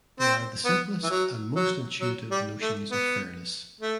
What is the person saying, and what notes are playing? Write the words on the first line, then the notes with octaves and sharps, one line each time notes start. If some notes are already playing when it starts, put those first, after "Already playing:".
They are the simplest and most intuitive notions of fairness.
C4
B3
E3
F#3
F#3
F#3
G3
A3
B3
A3